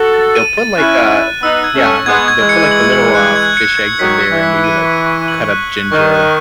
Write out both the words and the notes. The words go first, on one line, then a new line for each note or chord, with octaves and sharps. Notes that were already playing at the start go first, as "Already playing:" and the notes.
they'll put, like, a Yeah, like, they'll put, like, the little, uh, fish eggs in there and maybe, like, cut up ginger.
Already playing: F#4 A4 F#7
A6
D#7
A6
C#4 E4 F#6
F#6
F#6
B3 D#4 E6
G#6
A3 C#4
C#6
G#3 B3 G#6
G#6
E3 G#3
C#7
F#7
F#7
F#6
G#6
C#7
G#6
D#3 F#3 B6
B6
E3
B6
D#7
C#6
C#6
F#7
F#6
C#7
D#3 C#6
F#6